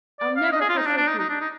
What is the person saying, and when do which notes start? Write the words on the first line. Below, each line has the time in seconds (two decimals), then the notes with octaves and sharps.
I'll never forsake you.
0.20 D5
0.36 F5
0.52 D#5
0.61 G#4
0.69 F4
0.77 D#4
0.86 D4
0.97 D4
1.07 D#4
1.19 D#4
1.29 D4
1.41 D#4